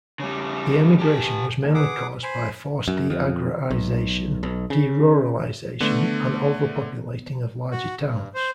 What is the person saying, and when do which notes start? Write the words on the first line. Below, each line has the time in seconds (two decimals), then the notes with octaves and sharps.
The emigration was mainly caused by force deagrarization, deruralization, and overpopulating of larger towns.
0.20 C#3 G3
0.99 G4 A4
1.63 D#2 D#3
1.74 G#4 B4 F#5 D6 E6
2.23 C5 G#5 B5
2.88 F#2
3.10 F2
3.71 B1
4.43 B1
4.70 C#3
5.81 D3 A3 B3
7.71 F#4
8.00 G2
8.34 C5